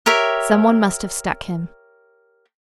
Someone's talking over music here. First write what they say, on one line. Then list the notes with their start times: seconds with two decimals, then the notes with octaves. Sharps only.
Some one must have struck him.
0.06 G4 A#4 C#5 E5